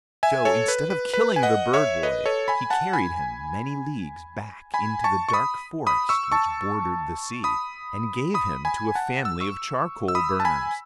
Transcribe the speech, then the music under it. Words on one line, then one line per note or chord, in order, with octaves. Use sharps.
So, instead of killing the bird-boy, he carried him many leagues back into the dark forest which bordered the sea, and gave him to a family of charcoal-burners.
E5 G#5
A4 C#5
B4
B4
B4
G#5
D#5 F#5
C#5 E5
B4 D#5
A4 C#5
G#5 B5
F#5 A5
G#5 B5
G#5 B5
A5 C#6
C#6
B5 D#6
B5 D#6
C#6 E6
A5 C#6
B5 D#6
B5 D#6
G#5 B5
F#5 A5
E6
C#6 E6
E6
B5 D#6
A5
G#5 B5